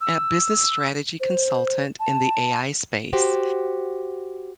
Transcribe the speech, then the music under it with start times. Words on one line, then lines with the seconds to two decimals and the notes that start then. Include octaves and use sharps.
a business strategy consultant in the AI space,
0.01 E6
1.20 C5
2.00 A5
3.13 F#4 G4 C5